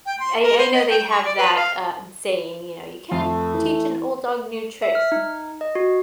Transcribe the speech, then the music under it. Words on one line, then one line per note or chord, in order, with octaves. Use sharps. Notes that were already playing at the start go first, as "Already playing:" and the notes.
y I I know they have that, uh, saying, you know, "You can't teach an old dog new tricks."
G5
C6
A#4
C5
D#5
G5
C#6
D5
B4
F5
F2 A3
E3
E5
F6
D#4
D#5
F#4